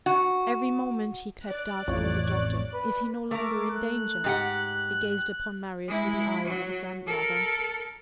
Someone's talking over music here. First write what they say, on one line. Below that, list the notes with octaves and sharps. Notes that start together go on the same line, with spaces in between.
Every moment, he kept asking the doctor: "Is he no longer in danger?" He gazed upon Marius with the eyes of a grandmother.
F#4
D5 F#6
A1 F2 C#5
B4
A3 A#4 D6
F#6
G#2 G4 F#5
G#3 E4
F#3
A4 A#4